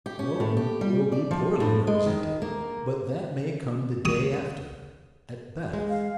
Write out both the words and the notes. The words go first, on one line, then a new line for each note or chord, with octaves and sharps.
Rome will be poorly represented, but that may come the day after at Bath.
G4
C#4
A2
G4
G3
D5
F3
A2
G#3
D#3
A#3
D#6
G#3
F5